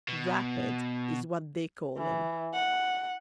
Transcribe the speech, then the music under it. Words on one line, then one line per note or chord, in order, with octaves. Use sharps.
"Rapid" is what they call him.
B2
E3
F#5